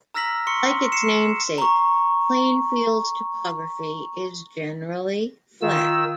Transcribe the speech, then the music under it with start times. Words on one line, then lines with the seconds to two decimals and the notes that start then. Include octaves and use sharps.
Like its namesake, Plainfield's topography is generally flat.
0.14 A#5 E6 F6 A#6 B6 F#7
0.47 C6 C#6 C#7
0.92 C7 C#7 E7
1.58 A#5 C#6
5.62 D#3 F4 E6